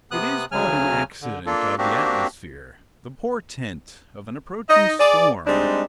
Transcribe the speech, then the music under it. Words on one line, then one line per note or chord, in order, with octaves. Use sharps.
It is but an accident of the atmosphere--the portent of an approaching storm.
C3 B3 D#6 F#6
D2 C#3 F#3 G#5 F6
D3
A#3 D4 F4 A4
A#3 C4 D4 F#4 G4
D#4 D#5
G#4 D5
G3 G#3 C4 D4 D#4